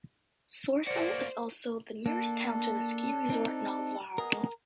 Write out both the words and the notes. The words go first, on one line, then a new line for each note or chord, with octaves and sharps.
Sorsele is also the nearest town to the ski resort Nalovardo.
A#3 F#4 C5 D5
A#3 D4 A4
C4 D#4
B3 G#4 A#4 D#5